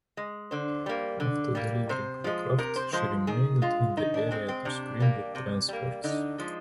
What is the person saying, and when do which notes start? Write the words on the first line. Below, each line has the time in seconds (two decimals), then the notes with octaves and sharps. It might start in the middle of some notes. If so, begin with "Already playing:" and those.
After delivering the craft, she remained in the area to screen the transports.
0.17 G#3
0.51 D3 C5
0.86 G3 A#3
1.20 D3
1.55 G3 A#3
1.89 C3 C5
2.24 F3 G#3
2.58 C3 A#4
2.76 C5
2.93 F3 G#3 C5
3.27 D#3 G#4
3.62 G#3 F4
3.97 D#3 D#4
4.14 D4
4.31 G#3 C4
4.48 C4
4.65 C3 D4
5.00 G3 A#3
5.35 C3
5.68 G3 A#3
6.04 D3 D#4
6.38 F3 G#3